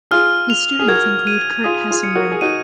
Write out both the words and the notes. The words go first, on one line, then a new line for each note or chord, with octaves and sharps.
His students include Kurt Hessenberg.
F4 G#4 F6
F7
G#4
F#4 A#4 G#6
D#7
F4 G#4 D#6
F4 G#4
C#7
F#4 A#4
G#4
D#4 F#4 D#7